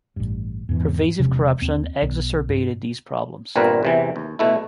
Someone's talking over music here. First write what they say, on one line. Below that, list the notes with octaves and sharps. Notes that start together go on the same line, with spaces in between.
Pervasive corruption exacerbated these problems.
A1 G2
E2 G#2 E3
E1 C3 F3 C#4
D#2 C4
B1
G2
G1 A#2 G3 C4 A#4 B4
E2 C3 E3
D#2
B2 A3 E4